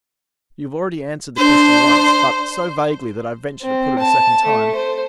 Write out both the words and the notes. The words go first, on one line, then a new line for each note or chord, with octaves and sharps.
"You have already answered the question once, but so vaguely that I venture to put it a second time."
D4 C5
C4
A5
A3
C5